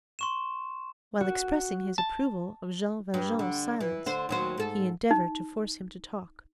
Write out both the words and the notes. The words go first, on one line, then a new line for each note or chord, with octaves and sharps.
While expressing his approval of Jean Valjean's silence, he endeavored to force him to talk.
C6 C#6 E7
F#4
A5
G2
D3
E3
D3 C5
D#2 F#3 C5
G#2 A4
D#4